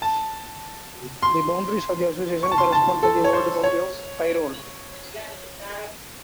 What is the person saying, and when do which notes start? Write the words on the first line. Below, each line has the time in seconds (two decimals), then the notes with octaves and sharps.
The boundaries of the association correspond to the old County of Tyrol.
0.02 A5
1.22 C6
2.43 C#6
2.51 A5
2.58 C6
2.72 A5
3.03 A4
3.24 C#5
3.33 C5
3.64 C#5